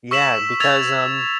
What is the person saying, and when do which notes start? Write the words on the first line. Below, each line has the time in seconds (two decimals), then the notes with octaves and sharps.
Yeah, because, um
0.11 C#6 E6 B6 E7 F#7
0.60 E6 G#6 A6 F7